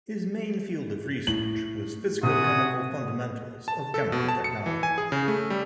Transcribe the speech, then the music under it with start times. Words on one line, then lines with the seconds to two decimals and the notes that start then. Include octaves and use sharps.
His main field of research was physicochemical fundamentals of chemical technology.
1.27 A2 F#7
2.23 C3 F#4 G#5 D#6
3.68 A5
3.94 A4
4.12 B2
4.28 A5
4.44 C#7
4.66 E3
4.83 G#5
4.98 G#4
5.12 C#3
5.28 A3
5.50 G3